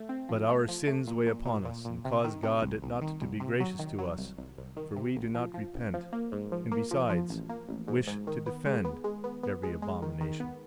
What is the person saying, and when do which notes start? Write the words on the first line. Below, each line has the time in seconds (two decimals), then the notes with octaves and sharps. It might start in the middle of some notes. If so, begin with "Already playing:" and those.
But our sins weigh upon us and cause God not to be gracious to us; for we do not repent, and, besides, wish to defend every abomination.
Already playing: A3
0.09 C4
0.29 F3
0.49 A3
0.68 F3
0.87 A3
1.07 A#2
1.26 A#2
1.45 A#2
1.65 A#2
1.85 A#2
2.05 C3
2.24 D#3
2.43 C3
2.62 C2
2.82 C2
3.01 D#3
3.21 C2
3.40 C3
3.60 F#3
3.79 D#3
3.98 F#3
4.18 C2
4.38 C2
4.58 C2
4.77 D#3
4.96 C3
5.16 A1
5.34 F3
5.54 F3
5.74 A1
5.94 F3
6.13 A#3
6.32 G#2
6.52 F3
6.72 A#3
6.91 F3
7.10 F3
7.30 A1
7.49 A#3
7.69 A1
7.88 G#2
8.07 G#2
8.27 D#3
8.46 B3
8.65 G#3
8.85 B3
9.04 G#3
9.24 B3
9.43 B3
9.63 G#3
9.82 G#3
10.02 D#3
10.21 D#3
10.40 B3